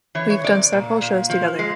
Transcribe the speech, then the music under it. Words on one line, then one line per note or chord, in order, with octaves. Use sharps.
We've done several shows together.
E3 C#5
C#5
C3 D5
A#2
A#2
F3
G#3